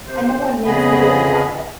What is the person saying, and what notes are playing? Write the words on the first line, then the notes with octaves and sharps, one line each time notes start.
And no one makes videos about it.
C3 C5
F2 C#3 B3 G#4 D#5 B5